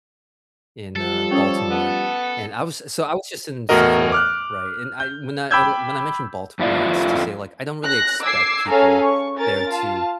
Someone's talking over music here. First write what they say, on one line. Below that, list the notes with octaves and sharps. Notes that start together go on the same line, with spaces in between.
in, uh, Baltimore, and I was so I was just in Sephora, right, and I when I, eh, when I mentioned Baltimore, it's to say, like, I don't really expect people there to
F3 G3 A4
C#4 A#4 C#5 D#6
B3
E2 A2 F#4 A#4 D#5
D6 F6 F#6
G6
G5 B5 D6 E6 G6 G#6
F2 E4 F4 D5
F#6 A#6
D6 E6 G#6 C7
C#4 G#4 A4 F5 G#5 A#5
C#6
C#4 A#4 A6
F4 F5 A5